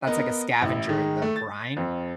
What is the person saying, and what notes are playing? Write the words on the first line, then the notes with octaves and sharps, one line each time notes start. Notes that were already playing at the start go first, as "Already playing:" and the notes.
that's like a scavenger in the brine.
B3 A#4 D#5
A1 E4
D#3 G#3 D#4
A3
A6
F2